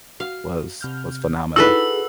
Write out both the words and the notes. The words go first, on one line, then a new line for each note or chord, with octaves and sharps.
was was phenomenal.
F#4 F5
C3 F6 G6
D#4 E4 F#4 G#4 A4 B4 E6